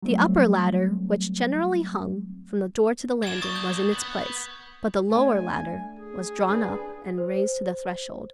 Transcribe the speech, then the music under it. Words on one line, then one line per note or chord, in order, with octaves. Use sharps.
The upper ladder, which generally hung from the door to the landing, was in its place, but the lower ladder was drawn up and raised to the threshold.
F#3 G3 A3 C4
A#3 D4 G#6 E7
C#6 D#6 A6
G6
B4 F#5
A3 D4 G#5
G#4
C4 D4 B4
C5